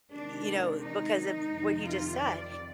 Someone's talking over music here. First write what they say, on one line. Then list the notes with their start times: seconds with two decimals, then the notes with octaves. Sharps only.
Y you know, because of what you just said,
0.11 C3 D#3 G#3 D4
0.80 D#4
1.49 F2 C3 D#3
1.84 F4
2.18 D5